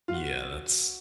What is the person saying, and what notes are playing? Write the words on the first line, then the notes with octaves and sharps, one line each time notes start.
Yeah, that's
F4
F#4